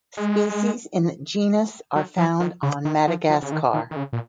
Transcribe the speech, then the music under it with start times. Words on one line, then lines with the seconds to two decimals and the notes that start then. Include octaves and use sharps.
Species in the genus are found on Madagascar.
0.17 G#3
1.96 F#3
2.18 F3
2.40 D#3
2.63 C#3
2.85 D#3
3.07 F3
3.30 F3
3.42 C#3
3.52 D#3
3.74 D#3
3.91 D#3
3.96 C#3
4.13 A#2